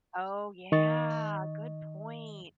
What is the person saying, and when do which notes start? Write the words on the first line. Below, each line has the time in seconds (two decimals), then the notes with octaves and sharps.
Oh, yeah, good point.
0.72 D#3 D#5 C#6 A6